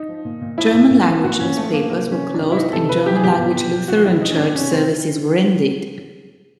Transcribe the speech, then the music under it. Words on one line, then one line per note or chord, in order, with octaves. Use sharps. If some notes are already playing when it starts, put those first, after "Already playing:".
German-language newspapers were closed and German-language Lutheran church services were ended.
Already playing: D#4
F3
A#2
A#2
F3 E4
A#2
A#2
F3
A#2 F#4
A#2 C#4
F3 A3
F3 A#3
C3 A#3
C3 C#4
E3
D4
C3
E4
E3 D#4
C3 A4
C3 B4
E3 G4
G#4
B2 G4
B2
B2
B2
B2 F#4
B2 E4
B2 D#4
C#4
B2 D4
C3 C#4
C3 C4